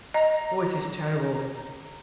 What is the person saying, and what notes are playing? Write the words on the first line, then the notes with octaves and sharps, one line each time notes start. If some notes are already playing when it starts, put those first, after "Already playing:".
Oh, it is terrible!
D#5 A#5